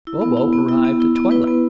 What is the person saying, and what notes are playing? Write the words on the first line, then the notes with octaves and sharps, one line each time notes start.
Bobo arrived at twilight.
E4
B3
E4
B3
E4
B3
E4
B3
E4 B4
B3